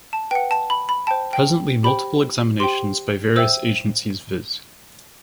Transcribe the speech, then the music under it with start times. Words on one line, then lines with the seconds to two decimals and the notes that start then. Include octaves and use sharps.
Presently multiple examinations by various agencies viz.
0.13 A5
0.31 B4 F#5 G5
0.51 A5
0.70 B5
0.89 B5
1.07 C5 G5 A5
1.33 G5
1.83 G4 C5 G5 B5
2.60 G4 C5 G5 C6
3.36 C5 E5 G5 E6